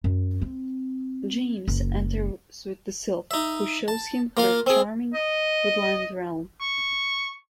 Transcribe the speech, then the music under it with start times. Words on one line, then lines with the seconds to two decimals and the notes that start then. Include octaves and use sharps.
James enters with the sylph who shows him her charming, woodland realm.
0.04 F#2
0.42 C4
1.68 F#1
3.31 D#4 E5
3.88 A5
4.37 A#3 F4 F5
4.66 C4 G#4
5.14 D#5
6.61 C#6